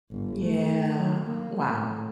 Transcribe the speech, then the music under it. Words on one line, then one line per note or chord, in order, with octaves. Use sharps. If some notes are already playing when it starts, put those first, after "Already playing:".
Yeah, wow.
G1
A3
F#3
A#3
A2